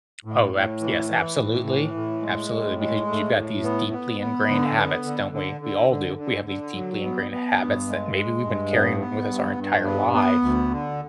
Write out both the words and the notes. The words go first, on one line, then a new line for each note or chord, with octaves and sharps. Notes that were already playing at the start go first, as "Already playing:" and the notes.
Oh, abs yes, absolutely. Absolutely, because you've got these deeply ingrained habits, don't we? We all do. We have these deeply ingrained habits, that maybe we've been carrying with us our entire life,
A2
A2
E3
E3
A2
E3
A2
G#3
A2
G#3
A2
A2
B3
B3
B3
D3
B3
D3
D3
D3
D3
D3
D3
F#3
B3
B3
G2
G#3
G#3
G2
B3
B3
G2
G2
B3
B3
D2
D3